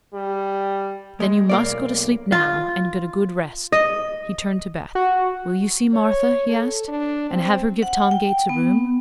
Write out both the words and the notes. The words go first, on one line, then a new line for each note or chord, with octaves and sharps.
"Then you must go to sleep now, and get a good rest." He turned to Beth. "Will you see Martha," he asked, "and have her give Tom Gates a room?"
G3
G#3
B1 A#3 D5
F4
D#5
F#4
C#5
A4
D4
C4
F#5
G5
B3